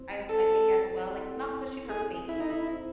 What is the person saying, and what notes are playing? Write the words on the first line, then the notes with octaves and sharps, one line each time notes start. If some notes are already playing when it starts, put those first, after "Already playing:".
I've I think, as well, like, not pushing her faith,
Already playing: C4 E4 C5
A4
C4 E4 A4
G#4
E4
D#4
E4
E4 C5 E5